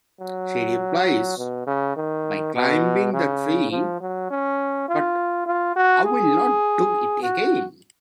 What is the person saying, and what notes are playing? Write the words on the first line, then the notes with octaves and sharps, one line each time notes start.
She replies, "By climbing the tree, but I'll not do it again".
F#3
B2
C#3
D#3
B2
C#3
F3
F#3
C#4
F4
F4
F#4
G#4
F#4